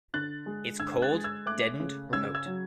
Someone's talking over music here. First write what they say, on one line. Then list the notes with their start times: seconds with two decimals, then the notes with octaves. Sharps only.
It's cold, deadened, remote.
0.13 D3 F#6 A6
0.46 G#3
0.79 D3 E6 G#6
1.02 F#6 A6
1.13 G#3
1.24 E6 G#6
1.46 A3 D6 F#6
1.80 C#3
2.13 C#3 E6 G#6
2.35 E6 G#6
2.46 F#3